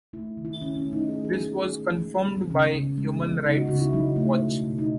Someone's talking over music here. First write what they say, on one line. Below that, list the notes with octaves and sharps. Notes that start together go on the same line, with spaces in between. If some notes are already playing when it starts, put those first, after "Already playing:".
This was confirmed by Human Rights Watch.
A3 E4
D#3
E4
D#3 C#4
C#4
A3
D#4
A3 G#4
G#4
D#3
B3
D#3
A3
G#3
B3
B3
C#3 C#4
C#3
G#3
B3
C#3 D#4
F#4
C#3 F#4
E4
F#3 D#4
A3
B2
B2
D#4